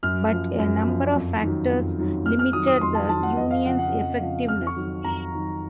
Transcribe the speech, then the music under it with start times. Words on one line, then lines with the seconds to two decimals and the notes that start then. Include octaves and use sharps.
But a number of factors limited the union's effectiveness.
0.03 F#2 F6
0.31 F3
0.59 F#2
0.87 F3
1.14 F2
1.42 D#3 F#3
1.71 F2
1.98 D#3 F#3
2.25 F2 F6
2.39 F6
2.53 D#3 F#3 D#6
2.67 D#6
2.81 F2 C6
2.95 A5
3.09 D#3 F#3 A5
3.23 F#5
3.37 F2 D#5
3.51 F5
3.65 C#3 F3 F#5
3.79 F#5
3.93 F2
4.20 C#3 F3
4.48 F2 F6
4.67 C#6
4.76 D#3 F#3
5.04 F2 A#5
5.32 D#3 F#3